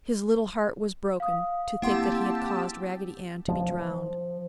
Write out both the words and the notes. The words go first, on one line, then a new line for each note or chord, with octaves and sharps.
His little heart was broken to think that he had caused Raggedy Ann to be drowned.
F5 D#6
A#3 C4 E4 G4 F#5 A5 C6 E6
F3